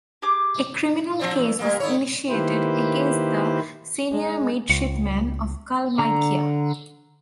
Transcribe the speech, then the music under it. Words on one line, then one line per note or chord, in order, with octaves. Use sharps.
A criminal case was initiated against the senior midshipman of "Kalmykia".
G4 G#4 D6 G6
F3 C4 D4
E2
G3 A#3
D3 E4 C#5
D#3 A#3 E4 G4 B4 C5
G#3
C#2
D3 A#5